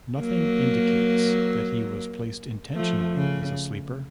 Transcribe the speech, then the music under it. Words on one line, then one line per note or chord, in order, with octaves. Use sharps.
Nothing indicates that he was placed intentionally as a sleeper.
F#3 A#3
F3 A3
C#3